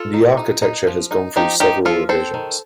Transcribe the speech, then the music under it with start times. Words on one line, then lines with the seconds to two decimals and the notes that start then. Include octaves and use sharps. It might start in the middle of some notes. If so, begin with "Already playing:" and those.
The architecture has gone through several revisions.
Already playing: F4 A4
0.13 D#4
0.37 D#4
0.62 D#4
0.87 F3
1.11 D#4
1.36 F3 D#4 G4
1.60 F3 D#4 G4
1.85 F3 F4 A4
2.09 C4 A4 C5
2.34 D#3